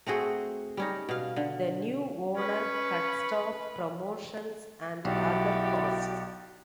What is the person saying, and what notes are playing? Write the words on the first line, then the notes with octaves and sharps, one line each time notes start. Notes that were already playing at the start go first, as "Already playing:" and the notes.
The new owner cut staff, promotions and other costs.
A3 C4 F#4 G#4
G3 C#4 D#4
B2 F5
D3
C#4 B4
B1 E4 F#4 G4 D5